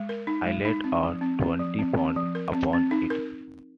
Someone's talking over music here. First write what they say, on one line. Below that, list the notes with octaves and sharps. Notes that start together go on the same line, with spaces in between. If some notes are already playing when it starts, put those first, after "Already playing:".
I laid out twenty pounds upon it.
Already playing: G#3
A#4
D#4
G#3
D#4
C4
F3
C4
C4
F3
C4
C4
F3
A#4
C4
C4
D#4
A#4